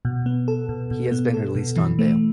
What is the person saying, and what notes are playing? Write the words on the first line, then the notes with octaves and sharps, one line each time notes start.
He has been released on bail.
B2
B3
A4
B2
B2
B3
A4
B2
E3
A3